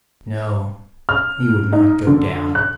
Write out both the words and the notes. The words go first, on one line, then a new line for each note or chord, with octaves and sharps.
No, he would not go down.
F6
D#4
D3
F#6